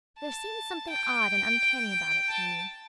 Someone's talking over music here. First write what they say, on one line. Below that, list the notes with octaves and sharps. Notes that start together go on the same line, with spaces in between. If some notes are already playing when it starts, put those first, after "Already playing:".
There seemed something odd and uncanny about it to me.
A5
G5
A5